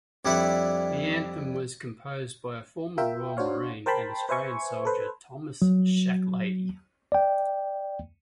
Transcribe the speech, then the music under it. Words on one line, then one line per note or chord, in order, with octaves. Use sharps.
The anthem was composed by a former Royal Marine and Australian soldier, Thomas Shacklady.
F2 G3 D4 E4 E5 F#5
F4 A#4 E5 G5
D4 F#4 C5 C#5 F5
A#4 C5 G5 A5 B5 C6
B4 C5 E5 G#5 C#6
A4 B4 C5
F#3
D5 G5